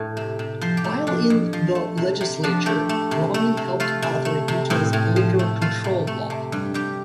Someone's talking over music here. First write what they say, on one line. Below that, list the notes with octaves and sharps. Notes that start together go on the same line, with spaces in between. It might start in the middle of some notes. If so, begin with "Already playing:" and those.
While in the legislature, Romney helped author Utah's liquor control law.
Already playing: A2 A3
C3
C3
F3 C5
G4
A3
F2 D4
F2
F3
A3
C3
C3
F3 D4
A3 G4
A3
C3
A3
C3
A3 F4
C3
A3
C3
A2 C4
A2
F3
A3
A3 F4
C3
A3
C3
G2
G2 G4